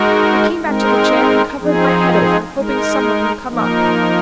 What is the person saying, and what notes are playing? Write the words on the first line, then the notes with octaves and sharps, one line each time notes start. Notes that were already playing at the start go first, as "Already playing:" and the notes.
"I came back to the chair and covered my head over, hoping some one would come up."
Already playing: G#3 D#4 F#4 A#4
G#3 C4 D#4 A#4
F3 C4 D#4 G#4
G#3 D#4 A#4
F3 A#3 D#4 A#4